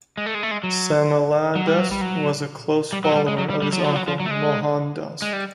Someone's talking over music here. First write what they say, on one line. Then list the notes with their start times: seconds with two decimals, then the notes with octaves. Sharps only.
Samaldas was a close follower of his uncle, Mohandas.
0.17 G#3
0.26 A3
0.35 G#3
0.43 A3
0.51 G#3
0.63 F#3
1.55 F#3
1.67 G3
1.80 F#3
1.91 G3
2.01 F#3
2.93 G3
3.04 F#3
3.12 G#3
3.16 G3
3.28 G#3
3.38 F#3
3.50 G3
3.62 G3
3.73 F#3
3.79 F3
3.84 F#3
3.92 F3
3.96 F#3
4.08 F3
4.20 F#3
4.26 A3
4.31 G#3
5.22 G#3
5.33 G3